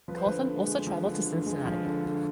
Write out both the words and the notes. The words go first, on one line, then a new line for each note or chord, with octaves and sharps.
Colton also traveled to Cincinnati.
F3 B4
C5
D3 B4
D3
G#3
F3
D3
D3
G#3
F3
D3
D3